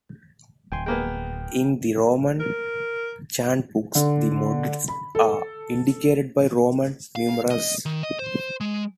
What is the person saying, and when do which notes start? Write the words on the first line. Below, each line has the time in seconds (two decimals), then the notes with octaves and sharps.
In the Roman Chantbooks the modes are indicated by Roman numerals.
0.72 D1 G5 G#5 C6
0.86 G#3 A#3 B3 G5
2.40 A#4
3.95 D3
4.88 B5
5.15 A4
7.16 F5
7.51 D#5
7.86 D#3
8.03 D#5
8.19 C5
8.61 G#3